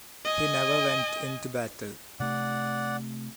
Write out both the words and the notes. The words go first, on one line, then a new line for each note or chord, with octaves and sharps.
He never went into battle.
D#5 G#5
C3 A3 D5 F#5